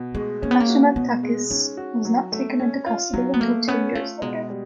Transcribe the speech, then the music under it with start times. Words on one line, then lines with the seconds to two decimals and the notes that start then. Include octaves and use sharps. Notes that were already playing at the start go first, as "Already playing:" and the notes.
Ashima Takis was not taken into custody until two years later.
Already playing: B2
0.15 G#3 A3
0.42 A#3 C#4
0.51 B3
0.60 A#3
0.69 F#4
0.96 B2 B3
1.23 G#3
1.51 C#4 D#4
1.77 F#4
2.05 F#3
2.32 A3
2.60 C#4
2.86 F4
3.14 F#3 D#4
3.34 B3
3.40 A3 A#3
3.68 B3 C#4
3.95 A3 F4
4.22 B2 G#3
4.50 G3